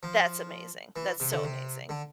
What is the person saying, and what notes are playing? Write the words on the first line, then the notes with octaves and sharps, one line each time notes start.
that's amazing, that's so amazing,
F3
E3
C3
D3
C3
D3